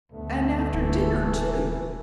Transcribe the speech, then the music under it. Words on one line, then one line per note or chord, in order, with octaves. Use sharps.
"And after dinner, too!"
D2 G2 A3 B3
D#1 E3